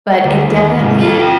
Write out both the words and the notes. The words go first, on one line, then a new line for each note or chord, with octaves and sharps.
but it definitely,
D2
D#2 D#3
G#2 C3
F4 A4
F4 G5